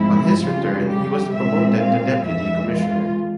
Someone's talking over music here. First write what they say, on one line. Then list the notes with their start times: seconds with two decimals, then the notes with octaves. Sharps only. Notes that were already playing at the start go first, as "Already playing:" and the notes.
On his return he was promoted to Deputy Commissioner.
Already playing: G#2 F3 G#3 C4 E4
0.42 F2 C#3 G3 F4
0.87 G4
1.33 A#2 G#3 C4 E5
1.79 F5
2.25 F2 E3 G#3 E5
2.70 F4